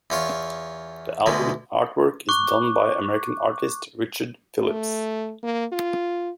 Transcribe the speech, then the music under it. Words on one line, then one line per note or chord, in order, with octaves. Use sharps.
The album artwork is done by American artist Richard Phillips.
E2 F4 C#5 C#6
D2 B2 G#3
C#6 D6 F#6
A3
A#3
F4